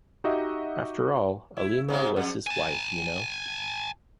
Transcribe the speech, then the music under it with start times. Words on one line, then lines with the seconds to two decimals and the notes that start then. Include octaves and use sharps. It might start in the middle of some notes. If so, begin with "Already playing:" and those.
After all, Alima was his wife, you know.
0.24 D#4 F#4 G4 D#5 E5
1.57 E4
1.88 G#2 C3 G#3
2.16 F2
2.47 G#5 A5